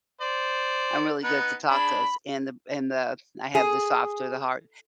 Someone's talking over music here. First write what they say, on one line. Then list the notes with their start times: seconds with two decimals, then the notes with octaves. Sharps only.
I'm really good at the tacos, and the b and the I have the soft or the hard,
0.21 C5 D5
1.24 B3 D#4 B4
1.70 D4 G#4 B5
3.55 G#4